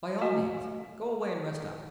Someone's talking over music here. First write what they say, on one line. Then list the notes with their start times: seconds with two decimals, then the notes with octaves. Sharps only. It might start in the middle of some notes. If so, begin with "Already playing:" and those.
By all means, go away and rest up.
0.21 A3 F#4 D#5 G#5